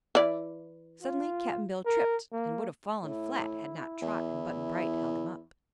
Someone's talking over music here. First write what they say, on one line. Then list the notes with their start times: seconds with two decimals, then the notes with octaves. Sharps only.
Suddenly Cap'n Bill tripped and would have fallen flat had not Trot and Button-Bright held him up.
0.15 E3 E4 D5
1.03 F4
1.86 A#4
2.33 A#3
3.03 A2 E4
4.01 E2